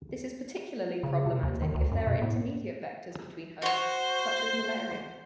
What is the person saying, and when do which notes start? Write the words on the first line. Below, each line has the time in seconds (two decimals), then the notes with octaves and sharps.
This is particularly problematic if there are intermediate vectors between hosts, such as malaria.
1.03 C#3
1.26 C3
1.43 D#2
1.62 D#3
1.75 D2
1.92 F#2
2.07 B2
2.22 A2
3.62 F#4 C5 C#6